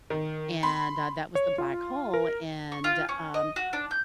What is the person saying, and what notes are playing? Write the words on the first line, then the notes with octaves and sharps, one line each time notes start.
and, uh, that was the black hole, and, um,
D#3
B5 C6
C#5
F4
A#4
C#6
F4
C#4
D#5
F#4
D4
G6